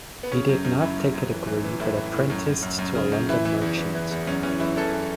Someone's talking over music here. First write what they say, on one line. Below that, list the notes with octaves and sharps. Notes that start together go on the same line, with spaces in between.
He did not take a degree but apprenticed to a London merchant.
B3
C#3 C#4
F#2
F#2
F#2 E4
F#2
F#2
E3
E3
E3
A2 E4
E3
A2
F#2
F#2
F#2
F#2
C#3
F#2
E3 E4
E3
E2
E3
E3
E2
F#2 C#4
E3 C#4
E3 E4
E3 A4
E3